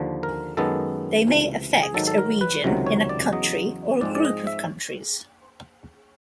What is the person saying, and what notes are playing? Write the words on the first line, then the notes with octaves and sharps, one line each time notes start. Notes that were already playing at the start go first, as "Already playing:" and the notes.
They may affect a region in a country or a group of countries.
Already playing: D#2 D3 F3
A#4
F#2 D#3 G#3 B3 A4
C#2 C3 E3 A3
G#4
G#2 D#3 F#3 A4
A4
A#4
B4
C#2 C3 D#3 F#3
C#5
C#5
D5
E2 C#3 F#3 D#5
G#2 F3 G#3 C4 D5
D5
D#5
E5